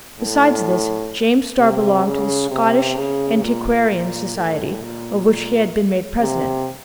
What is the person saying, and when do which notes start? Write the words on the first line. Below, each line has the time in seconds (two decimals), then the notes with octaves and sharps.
Besides this, James Starr belonged to the Scottish Antiquarian Society, of which he had been made president.
0.19 A2
1.59 C3
2.05 C#3
2.50 C3
2.97 C#3
3.43 A#2
3.90 A#2
4.35 A2
4.81 A#2
6.21 C3